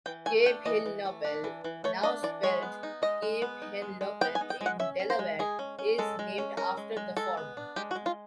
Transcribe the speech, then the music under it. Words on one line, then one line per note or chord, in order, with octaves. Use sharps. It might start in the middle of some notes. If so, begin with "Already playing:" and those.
Cape Hinlopen, now spelled Cape Henlopen in Delaware is named after the former.
E3 G5
A3 G#5
D4 G5
E3 D#5
E3
A3
D4
E3
E3
A3 C#5
D4 D#5
E3 D5
G#3 C#5
B3
D#4
G#3 D#5
G#3
B3
D#4
G#3
G#3
B3 G5
G#5
D#4
G5
G#3
F#5
C#4 E5
C#4
C5
G#3
G#3 G#4
C#4
C#4
G#3 A4
G#3
C#4
C#4 A#4
G#3
G#3
G#3 A4
B3
D4
G#3 G4
F#4
G#3
F4